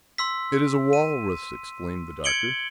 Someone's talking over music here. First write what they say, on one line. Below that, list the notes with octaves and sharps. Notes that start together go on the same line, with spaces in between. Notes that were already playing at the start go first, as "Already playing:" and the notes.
"It is a walrus!" exclaimed the Doctor.
C6 E6 B6
D#7
G#6 C#7 D7 F#7 G7